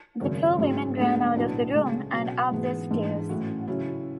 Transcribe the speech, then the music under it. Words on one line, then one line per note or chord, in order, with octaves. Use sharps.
The two women ran out of the room and up the stairs.
G#1 F#2 C#3 F#3
G#2 F#3 C#4
D2 D3 G#3 B3
B1 A2 F#3 B3 D4
C#3 G#3 C#4 G#4
B2 F#3 C#4
G#2 E3 G#3 B3
G#2 E3 G#3 D4
A1 A2 F#3 C#4 F#4
C#3 F#3 C#4 E4